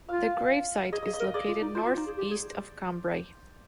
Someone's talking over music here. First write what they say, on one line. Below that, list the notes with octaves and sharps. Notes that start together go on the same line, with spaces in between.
The gravesite is located north east of Cambrai.
F4 F5
G#4 D#5
G#4 D#5
D#5
A#4
D#5
G#4 D5
F4
D#4
F4 C5
F4
D#4
G#4
G4
G#4